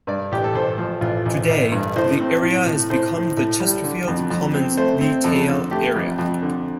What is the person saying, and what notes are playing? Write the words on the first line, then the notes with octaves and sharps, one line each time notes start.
Today, the area has become the Chesterfield Commons retail area.
G2 D5
A1 G4
A4
A1 C5
F3
A1 F4
A1
A1
G2
A2 C5
C4
A2
A2
A2 C5
A2
A2
G3
D3
F2
F2
C4
A3 C5
C4
F2 A4
D3
A3 G4
F2
F2
D3